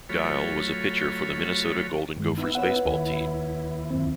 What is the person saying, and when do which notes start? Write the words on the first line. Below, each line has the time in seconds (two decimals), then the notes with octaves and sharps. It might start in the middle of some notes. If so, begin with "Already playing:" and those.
Giel was a pitcher for the Minnesota Golden Gophers baseball team.
0.09 F#3 A3 F4 C#5 B5
2.17 G2 D#3 G#3
2.38 B3 D#4 E4 E6
2.55 B4 C#5 F#5
2.85 D#2 E4
3.91 F#2 D#3 C4